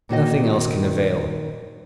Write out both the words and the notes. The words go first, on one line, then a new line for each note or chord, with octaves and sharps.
Nothing else can avail.
A#2 D#3 F#4 D#5